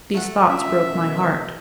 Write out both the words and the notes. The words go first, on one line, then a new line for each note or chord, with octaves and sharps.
These thoughts broke my heart.
A3 A4 F#5
D#2 D3 C#4 F4 E5
B2 D#3